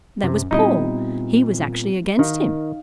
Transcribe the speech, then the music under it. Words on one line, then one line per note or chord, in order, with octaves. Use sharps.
There was Paul; he was actually against Him.
F#2 C3
A#2 G3 B3 C4 D#4 E4 D#5
D#3 D#4 F5